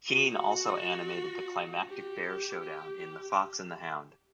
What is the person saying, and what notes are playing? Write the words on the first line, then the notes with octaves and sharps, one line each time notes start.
Keane also animated the climactic bear showdown in "The Fox and the Hound".
F#4
G4
G4
G4